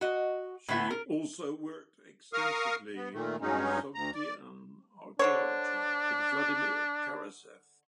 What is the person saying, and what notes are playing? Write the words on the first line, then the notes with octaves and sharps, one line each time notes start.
She also worked extensively on Sogdian archaeology with Vladimir Karasev.
F#4 D#5
A2 D3 B3 E5 G#5
A#4
A#4 F5 C#6 D#6 F6
B3
A#2 D#3 A3
G2 F#3 G#3 C#4 D#4
D2 A#5
D5
D3 D4 C5 C#5